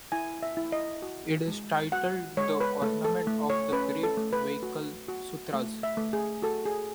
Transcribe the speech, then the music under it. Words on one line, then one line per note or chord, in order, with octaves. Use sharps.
It is titled the Ornament of the Great Vehicle Sutras.
E4 G#5
E5
E4
D#5
F#4
G#3
F#4 F#5
G#3 C#5
B4
A3 A4
A4
A3
C#5
C#4 B4
A4
A3
B4
F#4
F#4
A3
E5
A3
G#4
F#4 A4
G#4